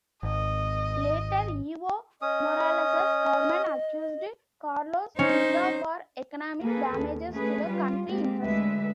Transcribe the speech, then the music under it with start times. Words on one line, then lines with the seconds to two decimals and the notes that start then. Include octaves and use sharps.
Later, Evo Morales's government accused Carlos Mesa for economic damages to the country interests.
0.23 G#1 D#5
2.22 C#4 D#5 D#6
5.19 C#4 D#4 C5
6.61 A#3 G#4 A4 B4
6.97 D#2
7.32 A3 C#4 G#4 B4
7.67 G3 F4
8.07 G#3 A#3 C4 G4
8.41 D2 D3 G#3 B4 E5